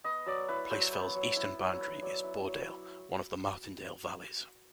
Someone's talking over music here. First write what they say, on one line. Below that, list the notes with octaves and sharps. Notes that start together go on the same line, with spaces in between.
Place Fell's eastern boundary is Boredale, one of the Martindale valleys.
B3 D#5
F#3 D5
E4 B4
F#3 C5
B3
F#3
E4
F#3
B3
F#3 D5
E4
F#3